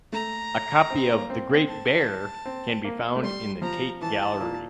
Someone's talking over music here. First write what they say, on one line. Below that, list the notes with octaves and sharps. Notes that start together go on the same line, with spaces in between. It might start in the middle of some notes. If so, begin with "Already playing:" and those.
A copy of "The Great Bear" can be found in the Tate Gallery.
A3 A#5
C4
A#3
C4
C4
A5
C4
A#3
A3
G3 C6
F3 A#5
E3 A5
A#2